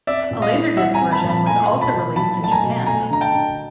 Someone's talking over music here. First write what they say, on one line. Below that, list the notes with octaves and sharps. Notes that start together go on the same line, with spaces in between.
A laserdisc version was also released in Japan.
C4 D5 E5
A#2
D#5 F5
E4
G3 E5 F#5
G#5 A#5
C4
A5 B5
A#2
A5 B5
A3 G#5 A#5
B2
A5 B5
B2
F#3 A5 B5
A3 A5
G#5 A#5
B2
A3 G#5 A#5
D3 A#5
G5 A5
D3